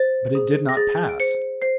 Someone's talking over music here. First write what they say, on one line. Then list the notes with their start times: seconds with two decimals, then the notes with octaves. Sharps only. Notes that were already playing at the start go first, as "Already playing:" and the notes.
But it did not pass.
Already playing: C5 A6
0.35 G#4
0.69 A#6
0.77 G#4 A6
1.09 D7
1.20 C5 C#7
1.62 C5 C7